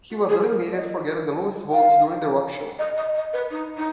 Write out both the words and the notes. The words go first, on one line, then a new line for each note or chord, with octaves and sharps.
He was eliminated for getting the lowest votes during The Rock Show.
F#4
G#4
G#4
A#4
D5
D#5
F5
D#5
D#5
D#5
B4
D#4
D#4